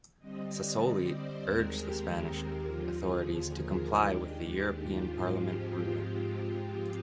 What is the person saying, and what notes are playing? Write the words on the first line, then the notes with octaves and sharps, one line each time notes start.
Sassoli urged the Spanish authorities to comply with the European Parliament ruling.
D3 G3 C4 D#5
D5
C5
D#2 D#3 G#3 C4 A#4
G4
G4
G4
D#2 D3 F3 F4
G#4
G#4
A#4
D#2 D#3 G#3 D4 G4
F4
G#2 F3 G#3 C4 F4
G4